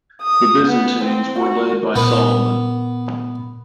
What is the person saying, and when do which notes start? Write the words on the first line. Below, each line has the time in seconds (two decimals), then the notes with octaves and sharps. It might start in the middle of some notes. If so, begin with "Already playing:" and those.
The Byzantines were led by Solomon.
0.22 D#6
0.68 B3
1.03 C4
1.38 F#4
1.96 A#2 B3